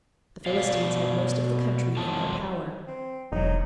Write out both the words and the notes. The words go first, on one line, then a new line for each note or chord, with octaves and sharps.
The Philistines had most of the country in their power.
B2 D5 F5
F#2 C3 F3 G#3 A5
C4
E1 F#3 D#4